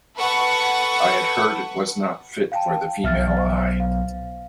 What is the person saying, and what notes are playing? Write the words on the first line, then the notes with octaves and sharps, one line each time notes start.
I had heard it was not fit for the female eye.
A4 B4 F#5 C#6
F5 G5 A5
B1 E5 F6 A6
C5
F5